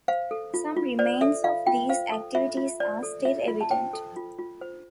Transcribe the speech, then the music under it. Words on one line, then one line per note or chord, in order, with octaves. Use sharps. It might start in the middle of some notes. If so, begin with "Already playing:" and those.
Some remains of these activities are still evident.
C5 F5
A4
F4
F4
C5 D5
A4 E5
F4 F5
F4 G5
C5 F5
A4
F4 E5
F4
C5 D5
A4
F4 E5
F4
A5
C5 G5
A4
F4
F4
C5